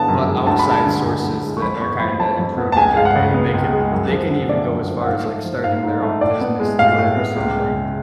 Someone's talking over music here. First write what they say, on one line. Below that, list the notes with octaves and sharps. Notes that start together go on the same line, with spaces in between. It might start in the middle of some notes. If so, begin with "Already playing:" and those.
But outside sources that are kinda improving their pay, and they can they can even go as far as, like, starting their own business through it or something.
Already playing: D3 G#3 B3 A5
F#2
G#3
D2 A5
B5
G#3 A5
D3
D2
D2
G#3
C#6
F2 B5
B3 C#6
F3 B5
F2 A5
F2
B3
A5
C#2 G#5
G#3 F5
F#5
C#3
B3
C#2
G#3
F#2
F3
D3
A3 D5
F#2
F3
F#5
G#2 F5
A3
F3
G#2 F5
G#2
A3
A2 D5
B3
G#3
A2 F5
A2
B3
C#2
G#3
C#3